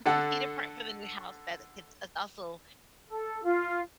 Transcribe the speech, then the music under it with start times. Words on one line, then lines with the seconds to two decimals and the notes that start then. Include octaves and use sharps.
with cheetah print for the new house that it can is also,
0.06 D3 A4 F#5
3.07 A4
3.44 F4